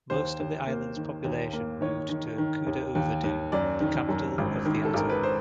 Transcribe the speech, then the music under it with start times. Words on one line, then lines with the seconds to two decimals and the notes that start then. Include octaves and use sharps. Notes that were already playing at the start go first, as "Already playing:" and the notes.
Most of the island's population moved to Kudahuvadhoo, the capital of the atoll.
0.10 D#2 C5
0.40 D#2
0.67 A#3
0.96 D#3
1.24 D#2
1.53 A#3
1.81 D#3 C#5
2.09 D#3
2.38 D#3
2.66 D#2
2.95 D#2
3.24 D#2
3.52 F#2 D5
3.80 D#3
4.09 F#2
4.38 G#1
4.65 D#3
4.85 A4
4.94 G#1 A#4
5.10 B4
5.23 C5